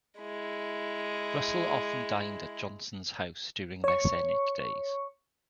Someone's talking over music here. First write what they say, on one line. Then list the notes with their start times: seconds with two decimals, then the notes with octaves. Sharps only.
Russell often dined at Johnson's house during their Senate days.
0.19 G#3 E4
3.84 C#5 C#6